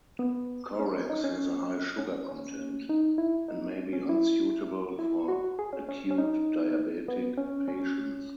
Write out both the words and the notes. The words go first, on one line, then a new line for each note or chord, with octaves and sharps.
Corex has a high sugar content, and may be unsuitable for acute diabetic patients.
B3
C#4
C#4
D#4
C#4
C#4
C#4
D#4
E4
D#4
C#4
E4
E4
F#4
G#4
C#4
C#4
C#4
D#4
B3
C#4
C#4